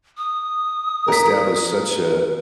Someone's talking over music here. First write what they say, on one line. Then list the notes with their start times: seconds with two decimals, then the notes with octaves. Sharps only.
establish such a
0.18 D#6
1.08 A#4 B6